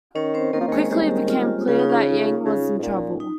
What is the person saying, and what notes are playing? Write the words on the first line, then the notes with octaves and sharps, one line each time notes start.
Quickly, it became clear that Yang was in trouble.
D#3 C#4 C#5
C4 C5
D#3 A#3 A#4
F3
D#3 G#3 G#4
D#3 G3 G4
F4
C#3 F4
D#4
C#4
D#4
C#3
G#2
A#2
D#4